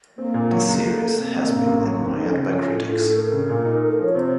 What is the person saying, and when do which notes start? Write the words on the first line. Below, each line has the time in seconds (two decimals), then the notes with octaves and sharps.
The series has been admired by critics.
0.18 A#3 C4
0.34 A#2
0.51 F#3
0.68 C#2
0.84 A3
1.01 A3
1.17 C3 A#3
1.34 C3 A#3
1.50 A1 A#3
1.67 A1
1.84 F#3 A#3
1.95 D#2 A#3
2.05 C4
2.16 A3 D#4
2.26 C#4
2.34 C#3 C4
2.46 F3 C#4
2.66 A2
2.83 A2 F4
2.99 A2 A4
3.15 A3 A#4
3.32 C#3
3.49 A#2
3.65 D#4
3.82 A3
3.99 F3 C#5
4.15 C3 C5